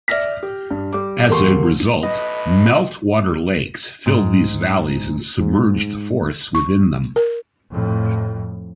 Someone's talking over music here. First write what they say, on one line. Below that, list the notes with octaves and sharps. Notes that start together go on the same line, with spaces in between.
As a result, meltwater lakes filled these valleys and submerged forests within them.
D5 E5 F6 A#6 B6
G4
G2
G3 D6
E1 A#3 G4 C6 C#6
B1 A2 B4 D#5
G#2
G#2
C#6
A#4
F2 A2